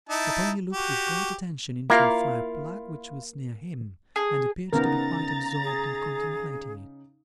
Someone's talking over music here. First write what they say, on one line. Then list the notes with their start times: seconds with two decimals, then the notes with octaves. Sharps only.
The pony looked with great attention into a fire-plug which was near him, and appeared to be quite absorbed in contemplating it.
0.09 D#4 E4 A5
0.73 F#4 G4
1.90 A#3 E4 F4 F5
4.16 G#4
4.73 C#3 B3 D#4 A#4 A#5 A6
5.63 G#4